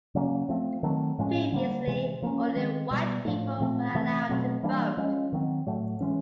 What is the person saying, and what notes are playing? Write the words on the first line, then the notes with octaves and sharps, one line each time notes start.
Previously, only white people were allowed to vote.
C#3 F#3 A#3 C#4
F3 A3 C4
D#3 F#3 A3 C4
A2 F3 G#3 C#4
D3 G3 A#3
C3 E3 G#3
F3 A#3 C#4
D#3 G#3 C4
B2 G3 B3
A2 F3 A3
A#2 F3 A3 C4
C3 E3 A3 C4
B2 F#3 A3 C4
E3 G3 A#3 D4
F3 G#3 C#4
D#3 F#3 A3 C4
A2 F#3 A3
E3 G#3 C#4